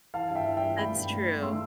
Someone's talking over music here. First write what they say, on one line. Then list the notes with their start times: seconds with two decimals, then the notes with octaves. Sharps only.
That's true.
0.14 E3 F5 A5
0.30 G2
0.35 E5 G5
0.47 E3
0.57 E5 G5
0.63 G2
0.78 A3 G5 B5
0.94 G2
1.10 A3
1.27 A3
1.42 A3 C6 E6